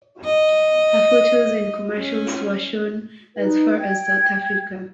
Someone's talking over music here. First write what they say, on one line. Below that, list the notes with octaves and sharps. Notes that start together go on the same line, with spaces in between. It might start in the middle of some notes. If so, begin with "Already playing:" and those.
Her photos and commercials were shown as far as South Africa.
D#5
C#4
D#4 B4
G5 G#6